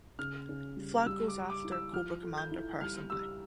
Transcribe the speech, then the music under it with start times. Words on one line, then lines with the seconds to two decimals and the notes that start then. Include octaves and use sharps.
Flagg goes after Cobra Commander personally.
0.19 C#3 F6
0.49 C#3
0.77 G3
1.06 G3 E6
1.28 D6
1.36 G4
1.50 D6
1.64 E4
1.72 E6
1.93 F3 F6
2.23 A4
2.38 G6
2.51 E4
2.81 G3 F6
3.10 G4 E6